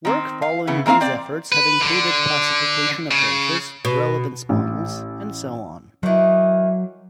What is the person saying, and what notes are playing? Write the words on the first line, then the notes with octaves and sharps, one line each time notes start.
Work following these efforts have included classification approaches, relevance models and so on.
D#3 C4
F5
C#3 B3 E4
E3 A#3 C4 C5 F5
C4 D5
B4
D3
C#3
B2
A1
D#3 E3 F#3